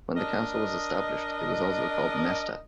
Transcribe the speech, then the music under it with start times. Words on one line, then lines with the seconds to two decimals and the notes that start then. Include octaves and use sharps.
When the council was established, it was also called "mesta".
0.16 D4 A#4 D#5